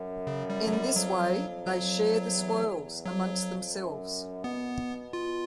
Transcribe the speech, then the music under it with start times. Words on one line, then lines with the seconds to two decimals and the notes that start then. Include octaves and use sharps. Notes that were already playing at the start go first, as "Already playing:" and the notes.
In this way, they "share the spoils" among themselves.
Already playing: F#2
0.27 C#3
0.50 G3
0.67 F#3
0.73 G3
0.96 F2 F#3
1.66 F#3
2.35 E2
2.70 E2
3.05 F2 F#3
3.40 F2
3.75 F#2
4.44 B2 B3
5.13 F4